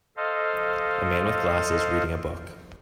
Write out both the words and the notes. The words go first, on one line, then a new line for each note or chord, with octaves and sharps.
A man with glasses reading a book.
A4 C5 D#5 F5